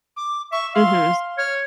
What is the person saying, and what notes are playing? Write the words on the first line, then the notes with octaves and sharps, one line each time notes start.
Mhm. S
D6
E5 C#6
F5 C6
C#5 F6